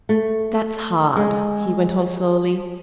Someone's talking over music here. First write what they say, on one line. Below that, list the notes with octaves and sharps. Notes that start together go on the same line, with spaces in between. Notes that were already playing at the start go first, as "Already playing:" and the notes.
'That's hard,' he went on, slowly.
A3
G#3